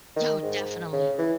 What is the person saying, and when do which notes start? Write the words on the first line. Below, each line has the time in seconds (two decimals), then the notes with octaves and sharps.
Yo, definitely.
0.16 D#3
0.43 G#2
0.93 C#3
1.18 E3